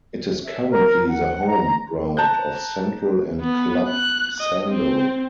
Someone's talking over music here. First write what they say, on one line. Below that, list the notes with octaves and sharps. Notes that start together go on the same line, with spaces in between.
It is currently the home ground of Central and Club Sando.
E5
A#4
F#5
A#5
A5 A#5 F#6 G6
B3
F#6
D#5
C4